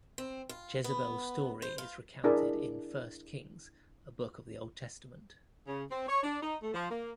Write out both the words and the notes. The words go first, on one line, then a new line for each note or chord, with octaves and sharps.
Jezebel's story is recounted in I Kings, a book of the Old Testament.
C4
F4
B3
C5
F4
D4 E4 G#4 A#4 D5 E5
C#3
C4
C#5
D4
D#4
A3
F3
A#3